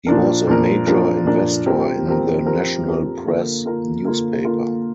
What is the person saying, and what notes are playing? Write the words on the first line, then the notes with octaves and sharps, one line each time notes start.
He was a major investor in the "National Press" newspaper.
A#2 F3 D4 A#4
A#2 F3 D4 A#4
A#2 F3 D4 A#4
A#2 F3 D4 A#4
F3 C4 G4 A#4
F3 C4 G4 A#4
F3 C4 G4 A#4
F3 C4 G4 A#4
D3 A#3 F4 A#4
D3 A#3 F4 A#4
D3 A#3 F4 A#4
D3 A#3 F4 A#4